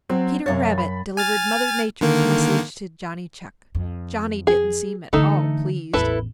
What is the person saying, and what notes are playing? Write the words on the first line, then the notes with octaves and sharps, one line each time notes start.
Peter Rabbit delivered Mother Nature's message to Johnny Chuck. Johnny didn't seem at all pleased.
F#3 C4
F#2 C3 C#5 F5 A6
B5
G#5 F6 A6
D3 D#3 A#3
F2
G#4
D3 E3 A3 D#4 A4
A1 E2 E4 A4 B4